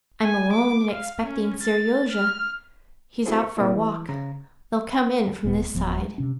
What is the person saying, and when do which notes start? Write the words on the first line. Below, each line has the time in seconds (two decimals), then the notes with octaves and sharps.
"I'm alone, and expecting Seryozha; he's out for a walk; they'll come in from this side."
0.22 G#5
0.53 D6
0.91 F5
1.22 C#4
1.63 A6
2.12 F6
3.26 C4 E4 F#4 G#4 A4 C5
3.40 C#6
3.57 A#2 A#3 C4 E4
3.76 E3
4.09 C#3 A#5
5.44 D1 A#2 B3
5.74 D1 F3 B3
5.99 G#3
6.18 C3 C#4